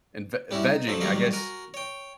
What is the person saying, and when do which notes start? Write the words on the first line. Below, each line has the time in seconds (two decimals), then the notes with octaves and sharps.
and v vegging, I guess,
0.51 G3 C#4 E4 F#4
0.63 D#4
0.87 F3 F#3 A4
1.00 D#3 F#3 G3 A#3 A#4
1.33 F#4 A#4 G#5
1.74 C#5 G5